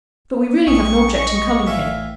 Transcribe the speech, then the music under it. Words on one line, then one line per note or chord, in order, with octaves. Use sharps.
But we really have an object in coming here.
A#1 C#4 G5 C#6 D#6
D#5
A2 E3 E5 F5